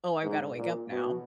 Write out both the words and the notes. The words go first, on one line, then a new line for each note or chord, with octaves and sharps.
Oh, I've gotta wake up now.
G#2
A#2
B2